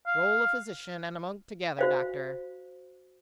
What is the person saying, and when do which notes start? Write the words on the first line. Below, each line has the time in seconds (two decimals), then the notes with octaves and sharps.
"Roll a physician and a monk together, doctor!"
0.07 F5
1.79 F#4 C5 F5